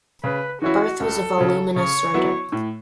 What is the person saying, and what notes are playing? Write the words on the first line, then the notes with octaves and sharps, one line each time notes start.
Barth was a voluminous writer.
C#3 B4
E3 C#4 E4 F#4
C#2 A4
C#3 F#3
C#3 C#5
F#3 B3 E4
A2